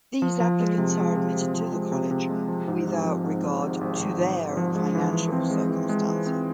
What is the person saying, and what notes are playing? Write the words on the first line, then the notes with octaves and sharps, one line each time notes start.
These applicants are admitted to the college without regard to their financial circumstances.
F3
F3
G#3
C3
G#3
C3
C3
F3
G#3
C3
C3
G#3
F3
G#2
G#2
F3
G#2
F3
G#1
G#1
G#1
G#2
G#1
F3
G#3
E3
E3
C4
G#3
E3
G#3
E3
C4